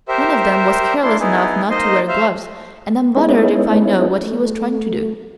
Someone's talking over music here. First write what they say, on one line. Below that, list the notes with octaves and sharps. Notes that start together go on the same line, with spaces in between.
One of them was careless enough not to wear gloves, and I'm bothered if I know what he was trying to do.
G4 A#4 C5 E5
A#3 D4 E4 C6
B3 D#4 E4 G#4
A#3 D#4 C5 D#5 C6
C5 E5 F5
G#3 B3 C#4 D#4 E4
A3